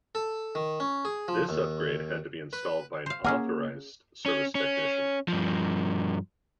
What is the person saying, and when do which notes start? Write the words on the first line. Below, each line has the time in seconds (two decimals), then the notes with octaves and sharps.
This upgrade had to be installed by an authorized service technician.
0.15 A4
0.55 D#3
0.80 C#4
1.05 G#4
1.28 F3
1.49 D#2
2.53 B4
3.06 C5 F5
3.24 A#3 C#4 G#4 A#4 F#5 D6 F6
4.26 C#4
4.55 C#4
5.28 G2 F3